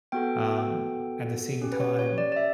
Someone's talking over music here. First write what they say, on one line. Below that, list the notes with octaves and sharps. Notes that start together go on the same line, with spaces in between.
um, at the same time,
B3 F#4 A4 G5
C#4 G4
B4
C#5
C#5
D5
D5
E5